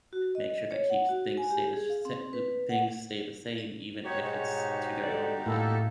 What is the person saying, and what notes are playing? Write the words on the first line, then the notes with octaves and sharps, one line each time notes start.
make sure that keeps things stay the sh sa the things stay the same, even if it's to their own, um,
F#4
D#5
C#5
F#5
F#4
G#5
G4
G#4
F5
C4
B4
F#5
D#4 F#4 G4 C#5
G#2 B2 C#5
A4 D5
A2 A#3 E4 A4